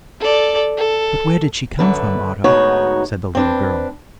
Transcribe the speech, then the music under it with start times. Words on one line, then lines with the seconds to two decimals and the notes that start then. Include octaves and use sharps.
"But where did she come from, Otto?" said the little girl.
0.20 A4 D5
0.77 A4
1.79 F#2 D3 B4
2.44 D2 G#2 B3 D#4 F#4 C#5
3.35 C4 D4 B4